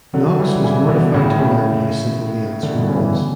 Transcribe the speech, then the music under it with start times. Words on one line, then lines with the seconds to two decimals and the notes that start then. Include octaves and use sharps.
Knox was mortified to learn how simple the answer was.
0.14 D3 F#3
0.39 E3 G3
0.64 C#3 E3
0.88 B2 D3
1.14 A2 C#3
1.39 A2 C#3
2.63 B2 D3
2.75 G2 B2
2.88 A2 C#3
2.96 E3
2.99 B2 D3